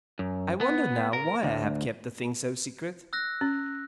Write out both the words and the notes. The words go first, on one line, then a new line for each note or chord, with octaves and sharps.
I wonder now why I have kept the thing so secret.
F#2
B3
A#4
D2
E6 F#6 A#6
C#4